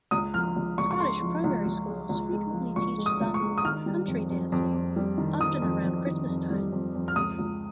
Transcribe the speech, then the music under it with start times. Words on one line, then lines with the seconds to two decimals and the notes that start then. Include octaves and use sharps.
Scottish primary schools frequently teach some "country dancing", often around Christmas time.
0.11 C#2 D#6
0.34 F3 F6
0.56 C#2
0.78 C#2 C#6
0.91 C#6
1.00 G#3 C6
1.22 F3
1.44 C#2
1.65 C#2
1.89 G#3
2.09 C#2
2.33 G#3
2.54 F3
2.76 C#2 C#6
2.98 G#3
3.06 D#6
3.21 C#2
3.34 C#6
3.42 G#3
3.58 D#6
3.65 D#3 F6
3.86 G3
4.08 F2
4.30 F2
4.52 F2
4.74 F2
4.96 G3
5.18 D#3
5.40 D#3 D#6
5.62 F2
5.84 F2
6.07 D#3
6.29 F2
6.50 G3
6.72 F2
6.95 F2
7.08 F6
7.16 C#2 D#6
7.39 C#2